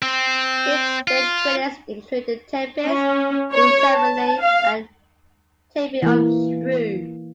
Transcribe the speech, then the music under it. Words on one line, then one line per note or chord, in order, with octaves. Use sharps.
Biggs' stage credits include "The Tempest", "Cymbeline" and "The Taming of the Shrew".
C4
F4
C#4
C#5
A5
F5
E3 A#3